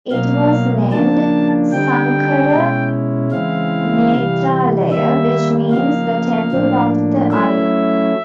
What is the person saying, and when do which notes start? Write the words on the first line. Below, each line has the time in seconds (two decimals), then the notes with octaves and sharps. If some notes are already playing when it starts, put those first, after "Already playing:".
It was named Sankara Nethralaya, which means "The Temple of the Eye".
0.12 B2 F#3 A#3 D#4 F5
0.92 C#3 F3 A#3 D4 A5
1.72 D3 G3 C4 D#4 G5
2.51 B2 G#3 C#4 E4
3.32 C#3 E3 G#3 C4 E4 F5
4.11 C3 E3 G3
4.92 D#3 G3 A#3 E5
5.71 C#3 F3 A#3 D#4 F5
6.52 A2 F3 A#3 D4
7.31 F#3 A3 C#4 E4 E5